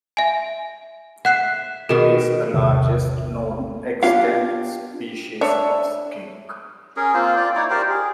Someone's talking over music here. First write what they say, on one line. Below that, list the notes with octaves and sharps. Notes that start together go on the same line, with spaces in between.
It is the largest known extant species of skink.
E5 G#5
E5 F#5 F#6 C7
B2 D#3 G#4
A1 E2 C3 D#3
B3 D4 F4 G4 C#5 F5
D4 C#5 E5
C#4 G#4 A#4
A#3 C4 F4 C5
F4 D5
D#4 E4 C#5 D5
G4 A#4 C5 D5
G#4